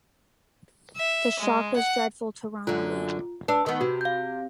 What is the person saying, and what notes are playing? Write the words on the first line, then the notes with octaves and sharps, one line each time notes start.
The shock was dreadful to Romilly.
E5
G#3
F#5
F#2 D3 F4
D4 B4 E6
D#3 B3
C3 F#4
F5 G6